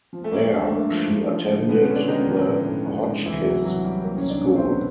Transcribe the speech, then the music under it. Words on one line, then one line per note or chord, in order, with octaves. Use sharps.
There, she attended the Hotchkiss School.
F3
A3
G#3 A#3
G2 A#3
A3
G2
A#3
F3
G2
F3
D3
B2 G#3 B3
C#3 C#4
G#3
D3 D4
D#3 G#3 D#4
F3
A2
A2
G#3
G#3
C2 E3 E4
C2 F#3 F#4
C2 F#3 F#4
G3 G4
G3 A#3 A#4
C#4 C#5
C2
D4 D5
B2 C#4 C#5
C4 C5
G3
B3 B4